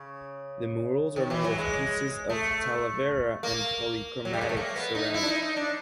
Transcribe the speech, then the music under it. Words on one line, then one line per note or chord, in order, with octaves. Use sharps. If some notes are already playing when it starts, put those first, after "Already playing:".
The murals are made of pieces of talavera and polychromatic ceramic.
Already playing: C#3
D#3
E3
F#3
G#3
A3
A#3
F#3
G3
G#3
A3
A#3
B3
D#4
E4
D4
D#4
D#4
D4